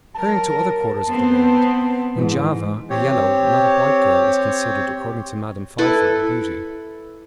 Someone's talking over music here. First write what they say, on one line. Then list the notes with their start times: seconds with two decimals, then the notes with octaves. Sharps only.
Turning to other quarters of the world; in Java, a yellow, not a white girl, is considered, according to Madame Pfeiffer, a beauty.
0.14 F#3 A#4 A5
1.09 B3 C4 C5
2.16 G#2 E3
2.90 C4 G4 C#5
5.78 E4 A4 B4